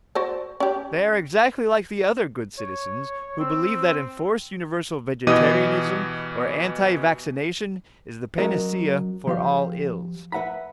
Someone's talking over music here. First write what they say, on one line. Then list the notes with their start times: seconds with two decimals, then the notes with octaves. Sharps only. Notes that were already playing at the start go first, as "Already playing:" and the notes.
They are exactly like the other good citizens who believe that enforced universal vegetarianism or anti-vaccination is the panacea for all ills.
0.15 F#4 C5 D5
0.60 C#4 G4
2.58 C#5
3.40 C4 E6
5.27 B2 E3 G4 D#5 D#6 D#7
8.38 F#3 C#4 F#4 A#4 D#5
9.27 F3 G4 F5
10.32 B4 E5 F#5 A#5 B5